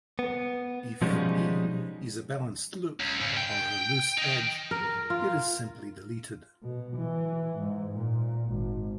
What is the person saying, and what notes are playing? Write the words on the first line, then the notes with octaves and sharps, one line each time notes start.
If "e" is a balanced loop or a loose edge, it is simply deleted.
B3
B2 F3 G3 G#3 C#4 D#4
C#2
G#2 C#3
G5
D#4 G5
A#4
F4
B2
E3
G#2
A#2
G#1